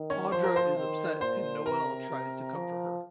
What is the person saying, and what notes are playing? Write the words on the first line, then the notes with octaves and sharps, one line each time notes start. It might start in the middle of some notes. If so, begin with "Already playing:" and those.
Audra is upset and Noel tries to comfort her.
Already playing: D#3
C#4 C#5
F3 C5
A#4
C5
D#3
A#2 C5
C3 A#4 A#5
C3
F3